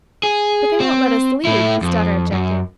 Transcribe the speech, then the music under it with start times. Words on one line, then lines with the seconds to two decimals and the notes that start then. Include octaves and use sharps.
"But they won't let us leave," his daughter objected.
0.23 G#4
0.80 C4
1.45 A3 E4
1.82 F2
2.32 F#2